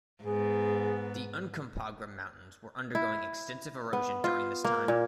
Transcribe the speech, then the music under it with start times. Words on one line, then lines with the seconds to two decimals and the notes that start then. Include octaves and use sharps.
The Uncompahgre Mountains were undergoing extensive erosion during this time.
0.24 G#2 B3 G#4
2.95 E4
3.93 B3
4.24 F4
4.64 A#3
4.88 A#2